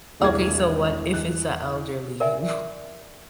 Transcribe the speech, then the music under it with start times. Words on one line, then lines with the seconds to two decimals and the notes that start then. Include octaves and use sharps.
Okay, so what if it's a elderly, wo
0.20 E1 C2 A#3 G#4 D5 G#6
1.14 E2 F#6
2.20 A#4 D5 E5 G#5